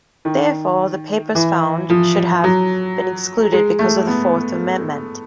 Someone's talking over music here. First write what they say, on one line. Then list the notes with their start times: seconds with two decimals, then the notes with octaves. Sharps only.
Therefore, the papers found should have been excluded because of the Fourth Amendment.
0.25 D#3
1.35 E3
1.90 F3
2.44 F#3
3.52 G#3
3.79 A3
4.07 B3